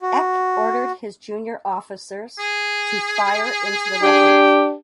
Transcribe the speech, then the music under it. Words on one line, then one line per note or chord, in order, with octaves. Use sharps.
Eck ordered his junior officers to fire into the wreckage.
F#4
G#4
D4 G4